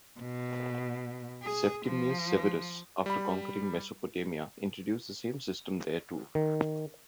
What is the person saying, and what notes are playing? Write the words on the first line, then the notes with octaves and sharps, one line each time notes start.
Septimius Severus, after conquering Mesopotamia, introduced the same system there too.
B2
G#4
F3
G3 B5
D#3